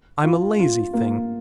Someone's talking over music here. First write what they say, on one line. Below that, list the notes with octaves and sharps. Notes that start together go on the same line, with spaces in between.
I'm a lazy thing.
F4
F4
A#3